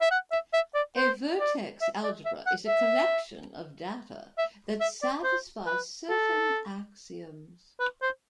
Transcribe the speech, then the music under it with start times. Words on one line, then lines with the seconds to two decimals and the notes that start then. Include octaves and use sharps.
A vertex algebra is a collection of data that satisfy certain axioms.
0.01 E5
0.11 F#5
0.32 E5
0.53 E5
0.75 D5
0.97 C5
1.40 D5
1.81 E5
2.04 D5
2.25 E5
2.46 F#5
2.68 E5
4.38 E5
4.81 E5
5.02 D5
5.24 C5
5.67 B4
6.09 A4
7.80 B4
8.02 C5